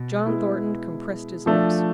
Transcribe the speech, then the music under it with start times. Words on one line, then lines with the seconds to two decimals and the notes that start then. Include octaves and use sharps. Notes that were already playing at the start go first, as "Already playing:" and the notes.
John Thornton compressed his lips.
Already playing: B2
0.26 G#3 B3 E4
1.46 F3 A3 D4